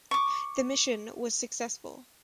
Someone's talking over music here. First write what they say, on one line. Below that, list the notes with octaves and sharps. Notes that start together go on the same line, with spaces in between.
The mission was successful.
C#6 D6